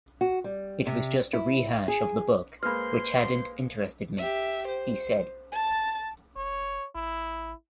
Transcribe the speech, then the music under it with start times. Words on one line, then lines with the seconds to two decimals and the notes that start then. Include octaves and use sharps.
"It was just a rehash of the book, which hadn't interested me," he said.
0.21 F#4
0.44 G3
0.87 C3
1.33 E4
1.88 G#4
2.63 G#3 A#3 B4 C5 B5 C6 F6 G6
4.18 G4 E5
4.67 C5
5.52 A5 A6
6.36 F1 C#5
6.95 A1 E4